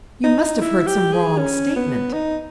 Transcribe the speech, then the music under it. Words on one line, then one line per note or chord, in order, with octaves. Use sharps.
'You must have heard some wrong statement.
D#4
E4
G4
G#4
C#4
B3
D#4